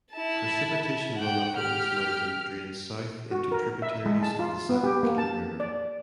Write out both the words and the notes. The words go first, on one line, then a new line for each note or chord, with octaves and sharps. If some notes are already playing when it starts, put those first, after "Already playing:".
Precipitation runoff from this mountain drains south into tributaries of the San Joaquin River.
E4 A5
F#5 G5
G4 F6
F#4
A#4
E5
G#3
A5
F4
B3
G4
A#3
A5
D5